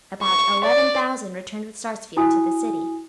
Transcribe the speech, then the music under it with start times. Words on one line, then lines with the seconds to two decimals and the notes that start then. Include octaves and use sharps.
About eleven thousand returned with Sarsfield to the city.
0.23 C#6
0.64 D5
2.17 E4 F#4 G#5 D#6